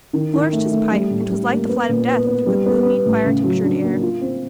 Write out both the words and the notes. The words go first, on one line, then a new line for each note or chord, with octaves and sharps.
He flourished his pipe, and 'twas like the flight of Death through the gloomy fire-tinctured air.
D#3
D#3
A3
A3
G3
A2
G3
A#3
B3
A#2
B3
B3
G3
B3
B3
A2
C#3
F#3
D4
A#3
F4
C4